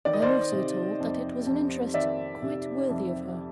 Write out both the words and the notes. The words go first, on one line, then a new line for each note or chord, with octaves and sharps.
I am also told that it was an interest quite worthy of her.
D#3 D5
D#5
C5 D5
C3
F2
F2
D#3 D5 E5
C3
F2